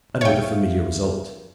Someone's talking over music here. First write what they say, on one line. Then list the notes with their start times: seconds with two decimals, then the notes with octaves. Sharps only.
And with the familiar result.
0.21 C#5 E5 F5 G5